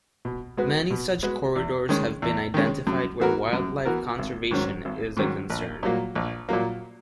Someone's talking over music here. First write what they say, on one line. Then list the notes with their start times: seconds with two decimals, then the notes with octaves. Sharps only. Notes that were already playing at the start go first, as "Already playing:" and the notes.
Many such corridors have been identified where wildlife conservation is a concern.
0.25 B2
0.57 G#3 B3 F#4 B4
0.90 B2
1.23 G#3 B3 F#4 B4
1.56 E2
1.89 D#3 G#3 C#4
2.22 E2
2.54 D#3 G#3 C#4
2.87 F#2
3.20 E3 B3 F#4 A#4
3.53 F#2
3.85 E3 B3 F#4 A#4
4.19 G#1
4.51 G#2 D#3 F#3 C#4
4.85 G#1
5.17 G#2 D#3 F#3 C#4
5.50 A#1
5.83 A#2 F#3 A#3
6.15 A#1
6.49 A#2 F#3 A#3